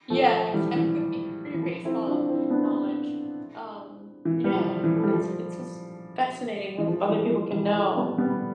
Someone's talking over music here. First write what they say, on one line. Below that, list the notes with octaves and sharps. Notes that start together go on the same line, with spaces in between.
yeah, exactly, or your baseball knowledge. Um yeah, it's it's just fascinating what other people can know
F3 A3
E3 G3
E3
E3
F3
C4 E4
D4 F4
C4 E4
B3 D4
E3
G3
F3
E3
A3
G3
F3
E3
F3
E3 G3
F3
E3 G3
F3 A3
G3 B3
G3 B3